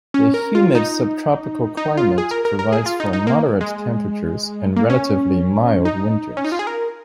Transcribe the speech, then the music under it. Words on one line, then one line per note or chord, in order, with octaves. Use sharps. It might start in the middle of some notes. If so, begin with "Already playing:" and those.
The humid subtropical climate provides for moderate temperatures and relatively mild winters.
C#4
A#4
F4
D#4
D#4
F4
G#4
A#4
A#4
A#4
G#4
F4
D#4
D#4
A#3
G#3
A#3
C#4
D#4
C#4
D#4
F4
G#4
A#4